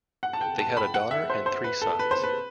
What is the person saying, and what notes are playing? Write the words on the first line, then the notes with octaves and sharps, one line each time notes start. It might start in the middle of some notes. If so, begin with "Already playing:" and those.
They had a daughter and three sons.
F#5
A5
G5
A5
B5
F#5
E5
C5
C5
B4
A4
B4
C5
B4